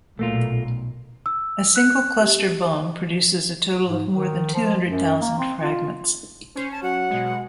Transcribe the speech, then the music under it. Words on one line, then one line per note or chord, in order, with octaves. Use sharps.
A single cluster bomb produces a total of more than two hundred thousand fragments.
B1 A#2 A3 A#3 F4
E6
F#6
G4
G#2
D#3
F3
F#2
A#3
C4
F4
C#4 C5
A5
F#3 F#5
B2 G#3